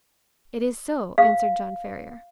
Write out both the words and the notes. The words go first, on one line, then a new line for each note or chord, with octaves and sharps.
"It is so," answered John Ferrier.
F5